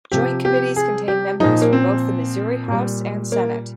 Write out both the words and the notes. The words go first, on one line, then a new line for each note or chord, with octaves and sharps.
Joint Committees contain members from both the Missouri House and Senate.
C3 F3 G4
G4
G#4
G4
A#2 F3 D#4
A#3
C4
A#2 G3
A#3